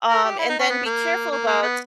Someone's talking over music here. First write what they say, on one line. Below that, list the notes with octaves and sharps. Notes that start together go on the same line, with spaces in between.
um, and then be careful about
A#4
G4
E4
D#4
C#4
B3
A#3
A#3
A#3
B3